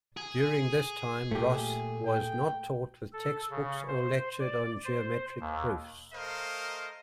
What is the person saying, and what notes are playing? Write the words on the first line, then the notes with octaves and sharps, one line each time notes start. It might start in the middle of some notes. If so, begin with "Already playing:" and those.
During this time, Ross was not taught with textbooks or lectured on geometric proofs.
G#4
A#2 A3 G4
G5
A4
C#3
C5
D5
C5
D#2
A3 A#4 C5 D#5 F5